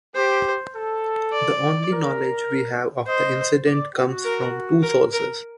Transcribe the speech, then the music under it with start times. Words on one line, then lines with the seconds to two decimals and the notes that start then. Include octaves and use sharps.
The only knowledge we have of the incident comes from two sources.
0.15 G4 C5
0.74 A4
1.32 D5
1.90 A#4
3.07 C5 D#5
3.66 D5
3.95 F#4
4.24 A#4
4.82 A#4
5.13 A#4